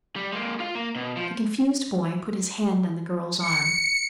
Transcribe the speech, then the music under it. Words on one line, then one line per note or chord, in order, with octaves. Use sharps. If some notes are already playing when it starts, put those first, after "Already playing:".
The confused boy put his hand on the girl's arm.
G3
G#3 A#3
F4 F5
A#3
B2
F3
C#7